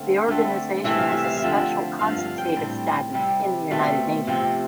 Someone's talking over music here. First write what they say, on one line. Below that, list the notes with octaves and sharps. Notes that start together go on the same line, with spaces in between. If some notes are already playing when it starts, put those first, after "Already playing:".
The organization has a special consultative status in the United Nations.
Already playing: D3 A3 C4 F5
D3 A3 C4
C3 E3 A3 C4 E5
F5
E5
F5
E5
D3 F3 C4
G2 D3 F3 F5
F5
G5
A2 G3 C4
C3 G3 C4
B2 A3 C4
C3 F3 C4